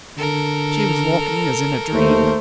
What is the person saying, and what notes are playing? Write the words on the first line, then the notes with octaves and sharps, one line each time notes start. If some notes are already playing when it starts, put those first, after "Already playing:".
She was walking as in a dream.
D3 A4 A#4
D#2 A3 C5